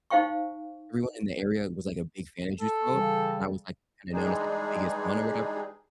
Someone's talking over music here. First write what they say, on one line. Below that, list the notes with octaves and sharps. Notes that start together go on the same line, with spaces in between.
everyone in the area was like a big fan of Juice WRLD and I was like kind of known as like the biggest one or whatever,
D#4 C5 F5 G5 C#6
A4
C#3 E3 G3
E3 G3 G#3 D4 D#4 G#4